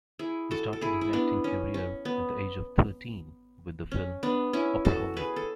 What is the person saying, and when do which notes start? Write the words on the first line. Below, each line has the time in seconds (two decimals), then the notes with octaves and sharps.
He started his acting career at the age of thirteen with the film "Opraholic".
0.19 E4 G#4
0.51 F#4 A4
0.73 A4
0.81 E4 G#4
1.01 E4
1.13 B3 D4
1.44 C#4
1.74 C#4
2.05 B3
3.92 C#4
4.23 B3 D4
4.53 C#4 E4
4.85 F#4 A4
5.17 G#4 B4
5.36 A4